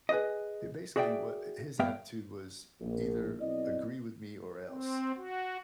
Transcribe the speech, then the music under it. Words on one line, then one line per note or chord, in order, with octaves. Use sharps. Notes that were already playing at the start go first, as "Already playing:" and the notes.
He basically wa uh, his attitude was either agree with me or else,
G#4 B4 C5 D5 D#5
F#4 G#4 D5 E5 G5
G2 B3 E5 F5 G5
A#1
B1 C4 E4 D5 D#5
C4
F#4